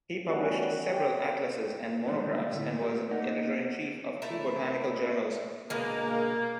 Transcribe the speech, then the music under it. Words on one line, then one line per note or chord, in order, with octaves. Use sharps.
He published several atlases and monographs and was editor-in-chief of two botanical journals.
E3 G3 A3 B3 C#4 F#4
G4
B2 D3 D#3 G3 G#3
A2 D3 E4
A3 G4 A4 A#4
A#3 B3 D#4 F#5
A3 E4 A#4
B2 D3 G#3 A#3